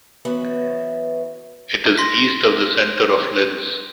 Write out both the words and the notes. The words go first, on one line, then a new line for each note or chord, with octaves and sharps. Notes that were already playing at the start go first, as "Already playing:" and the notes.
It is east of the centre of Lens.
E3 F#3 B3 C#4 B4 E5
C6 A#6 B6